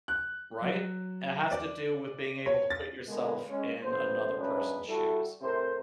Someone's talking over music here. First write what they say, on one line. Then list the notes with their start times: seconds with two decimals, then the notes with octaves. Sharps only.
Right? It has to do with being able to put yourself in another person's shoes.
0.08 F#6
0.61 F#3
1.52 D5
2.46 C#5
2.70 A6
3.08 D3 G#3 A#3 B3
3.49 G#3 C#4
3.82 A1 F#2 B3 C5
4.38 C#2 F#2 F#3 D4 G#4 B4
4.88 G3 E4 F#4 A4
5.42 A2 C3 A#4 C5